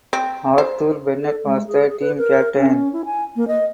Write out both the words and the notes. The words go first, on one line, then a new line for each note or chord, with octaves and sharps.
Arthur Bennett was the team captain.
C4
C5
A4
G#3
G#4
G#4
B4
A#4
C#4
E4
G#5
A#3
D#5